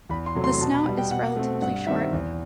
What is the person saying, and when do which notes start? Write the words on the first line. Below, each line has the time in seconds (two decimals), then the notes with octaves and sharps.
The snout is relatively short.
0.09 E2 B5
0.26 C6
0.35 C3 F#3 A3
0.44 C6
0.61 B2 A5
0.74 B5
0.86 G3 B3
0.98 G5
1.11 B2 F#5
1.37 A3 C4
1.62 G2 F#5
1.87 D#3 G3 C4 E5
2.13 E2